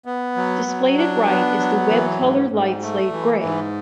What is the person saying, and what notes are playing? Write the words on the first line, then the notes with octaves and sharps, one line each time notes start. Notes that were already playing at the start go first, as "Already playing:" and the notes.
Displayed at right is the web color light slate gray.
B3
F#3
F#3
D4
B3
F#3
E3
G#2
G#2
A3
E3
G#2